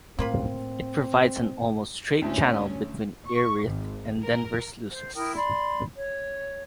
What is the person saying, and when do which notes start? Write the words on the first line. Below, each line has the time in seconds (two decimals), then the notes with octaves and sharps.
It provides an almost straight channel between Earith and Denver Sluices.
0.19 A2 A#3 C4 F4 B5
2.22 D2 A2 C#4
3.28 C#6
3.64 G#1
4.22 A#4
4.91 C5
5.15 E4 A#4 G5 D#6
5.37 D5 B5 C6
5.96 C#5